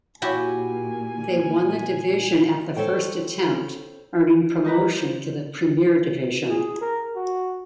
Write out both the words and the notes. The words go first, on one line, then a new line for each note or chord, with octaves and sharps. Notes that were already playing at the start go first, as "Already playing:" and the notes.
They won the division at the first attempt, earning promotion to the Premier Division.
A#2 A#3 E4 F#4 G4 G#5
A4 C5 C#5 G5
D#4 A#4 B4 A#5
C5
G#4
A#4
F#4